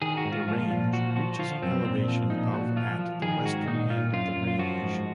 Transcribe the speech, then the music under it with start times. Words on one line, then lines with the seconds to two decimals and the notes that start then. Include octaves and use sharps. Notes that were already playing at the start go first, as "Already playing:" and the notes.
The range reaches an elevation of at the western end of the range.
0.02 D#3 G#4
0.17 F#4
0.25 G#2
0.32 F4
0.48 F3 F4
0.70 A#2 F4
0.93 F3 F#4
1.16 F3 F#4
1.39 F3 F4
1.62 F#2 C4
1.85 A#2 C4
2.08 F3
2.30 A#2 D#4
2.53 A#2 F#4
2.76 F3 F4
2.99 F3
3.22 D#3 G#4
3.45 G#2 F#4
3.67 A#2 D#4
3.90 A#2 F4
4.13 F#2 F4
4.36 F#2
4.47 F4
4.59 F3 F#4
4.82 G#2